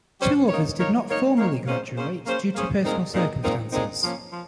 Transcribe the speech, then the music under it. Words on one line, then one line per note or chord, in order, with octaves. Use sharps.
Two others did not formally graduate due to personal circumstances.
G3 C#4 G4 C5
A#3 D#4 A#4 C#5
A#3 D#4 A#4 C#5
A#3 D#4 A#4 C#5
A#3 D#4 A#4 C#5
A#3 C#4 G#4 C5
A#3 C#4 G#4 C5
A#3 C#4 G#4 C5
A#3 C#4 G#4 C5
A#2 G#3 C4 D#4 A#4
A#2 G#3 C4 D#4 A#4
A#2 G#3 C4 D#4 A#4
A#2 G#3 C4 D#4 A#4
F3 A#3 C#4
F3